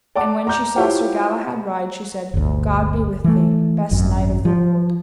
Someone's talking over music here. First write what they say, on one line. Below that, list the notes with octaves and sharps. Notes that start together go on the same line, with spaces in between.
And when she saw Sir Galahad ride, she said: God be with thee, best knight of the world.
D5 F#5 A5 D6
A#5 D6 G6
E4 F4 G4 C5 C#5 F#5
G1 D2
E3 A3
G#1 F#2
F3